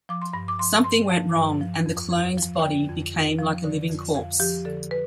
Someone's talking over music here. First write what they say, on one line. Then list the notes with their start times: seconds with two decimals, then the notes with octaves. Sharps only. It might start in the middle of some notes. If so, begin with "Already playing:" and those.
Something went wrong and the clone's body became like a living corpse.
0.09 F3 D6
0.22 C6
0.33 G2 B5
0.48 D6
0.59 F3 C6
0.84 G2 C6
1.09 F3 A5
1.36 G2
1.61 F3
1.86 F2
2.12 F2
2.38 F3
2.62 D3 G5
2.88 F2
3.14 F2
3.38 F3
3.64 D3
3.90 F2
4.15 F2 F5
4.40 F3 G4
4.65 D3 A4
4.91 B4